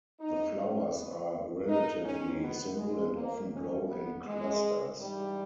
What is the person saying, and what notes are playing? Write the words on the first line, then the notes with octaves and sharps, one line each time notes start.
The flowers are relatively simple and often grow in clusters.
D#4
G#2 E3 C#4
B3
D#4
G#2 D#3 C#4
B3
G#3
A#3
G2 D#3 C#4
B3
G#3
G#2 E3 G3